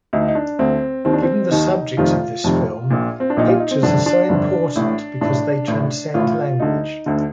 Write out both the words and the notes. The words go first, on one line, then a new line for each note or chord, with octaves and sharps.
Given the subject of this film, pictures are so important because they transcend language.
D2 D3 D#4
D#4
D4
D2 D3 C4
D#2 D#3 C4
D4
C4
D#2 D#3 D#4
F1 F2 C3 D#3 F4
F1 F2 C3 D#3
A#1 A#2
C4
D4
A#1 A#2 D#4
F4
D#4
C4
G1 F2 D3 D4
D4
G1 F2 D3
A1 A2
A1 A2 D4
A1 A2
A1 A2 F4
D2 D3 D#4
D2 D3